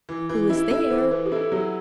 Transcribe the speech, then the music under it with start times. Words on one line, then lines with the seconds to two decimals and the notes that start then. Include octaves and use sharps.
"Who is there?"
0.09 E3
0.29 E3
0.50 E4 G4
0.70 E4 A4
0.90 E3 C5
1.11 E3 B4
1.26 G4
1.32 E4 A4
1.52 F#3 G4